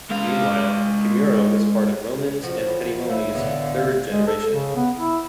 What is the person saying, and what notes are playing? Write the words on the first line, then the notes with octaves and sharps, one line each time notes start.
Meanwhile, Kimura was part of Romans and Petitmoni's third generation.
G#3 F5
F3 F#4
E2
A3 E4 C#5 F5
A2 D3 B3
G#3
A4
C#3
B3
E4